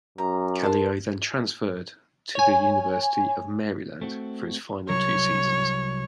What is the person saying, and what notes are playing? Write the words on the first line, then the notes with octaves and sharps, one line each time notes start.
Kaleo then transferred to the University of Maryland for his final two seasons.
F#2 A#5
A#4 A5 C6
C#5 G#5
A3 C4 F#4
C2 F#3 A#4 C#5